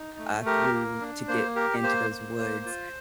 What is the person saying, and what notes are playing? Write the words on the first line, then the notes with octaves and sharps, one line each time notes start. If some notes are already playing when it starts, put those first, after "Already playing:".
uh, through to get into those woods,
Already playing: D#4
A3
G4 A#4
A#3
D4
A#3 C5
G4 A#4
A#3 C5
A#3
A#3
F4